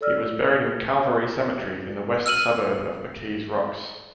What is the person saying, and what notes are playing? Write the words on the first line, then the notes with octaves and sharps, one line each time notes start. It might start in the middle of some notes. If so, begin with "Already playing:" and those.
He was buried in Calvary Cemetery in the west suburb of McKees Rocks.
A4 C#5 D5 E6 F6
E6 F6 D#7 F#7